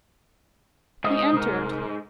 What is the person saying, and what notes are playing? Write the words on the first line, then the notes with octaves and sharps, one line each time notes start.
He entered.
G#2 D#5
C2 A#4